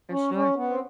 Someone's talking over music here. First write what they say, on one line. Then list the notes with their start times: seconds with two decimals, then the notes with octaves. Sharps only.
For sure.
0.11 C#4
0.34 C#4
0.56 B3
0.70 C4